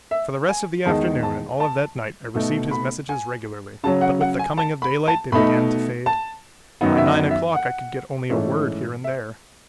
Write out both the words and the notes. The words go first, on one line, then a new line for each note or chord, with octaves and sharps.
For the rest of the afternoon and all of that night I received his messages regularly, but with the coming of daylight they began to fade. By nine o'clock I could get only a word here and there.
E5
G#5
E2 D#3 G#3 D#4 A5
A5
A5
B2 A3 D#4
B5
G#5
C#3 F#3 C#4 A5
F#5
F#5
G#5
A5
B5
A5
B2 A3 D#4 B5
A5
F#2 D#3 F#3 B3 D#4 F#5
E5
D#5
E5
F#5
G#2 E3 A3 C#4
E5